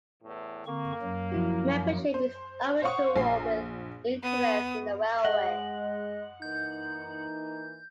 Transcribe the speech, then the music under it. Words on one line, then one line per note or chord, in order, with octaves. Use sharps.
Membership is open to all with an interest in the railway.
E2 A2 E3
D3 A#3 C4 C#6
F#2 F#3
F3 E4 F#4
C5
C5 C#5 F5 F#5 C#6 D#6
A#1 G#5 C7
B3 D#6
G#3 D#5 F#5
E3 A#3 D#4 G6